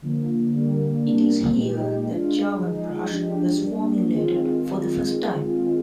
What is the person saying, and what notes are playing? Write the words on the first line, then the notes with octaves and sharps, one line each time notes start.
It is here that Chyawanprash was formulated for the first time.
D3 F3 A#3
D3 G3 A#3
C3 G3 A#3 D4
A#2 G#3 D#4 G4
G#3 D4 F4
F3 G#3 D#4 G#4
F3 G#3 D4 G4
G3 A#3 D4
D#3 G#3 C4 F4 G#4